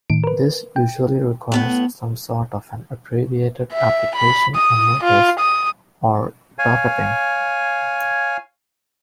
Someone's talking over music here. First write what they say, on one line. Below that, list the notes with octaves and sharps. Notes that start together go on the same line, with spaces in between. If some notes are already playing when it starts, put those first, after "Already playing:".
This usually requires some sort of an abbreviated application on notice, or docketing.
A2 D#3 D7
A#4 B4
G5
A2 B3 F#5
E5
B5
D#6
F4
D#6
C#5 F5 G#5